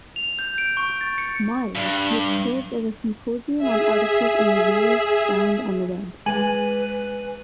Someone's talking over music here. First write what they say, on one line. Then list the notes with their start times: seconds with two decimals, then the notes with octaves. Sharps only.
Myers, which served as a symposium on articles and reviews found on the web.
0.16 F7
0.39 G6
0.58 D7
0.77 C#6
1.01 A6
1.18 C#7
1.76 G2
3.58 G#4 E5
6.26 G#3 B4 G#5 D#7 F#7